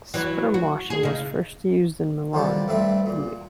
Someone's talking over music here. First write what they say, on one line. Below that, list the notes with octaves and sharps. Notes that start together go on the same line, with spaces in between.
Sperm washing was first used in Milan, Italy.
E3 F#3
F#4
G#4
C#3 D#4
D3 D#3 F3 G3 G4 C5
G2 G3 A3 C4 E5
A#2